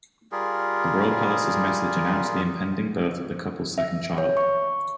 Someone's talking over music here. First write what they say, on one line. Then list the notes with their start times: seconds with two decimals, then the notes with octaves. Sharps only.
The royal palace's message announced the impending birth of the couple's second child.
0.32 G3 F4 G#4 A#4
3.78 E5
4.18 C#5
4.37 C#6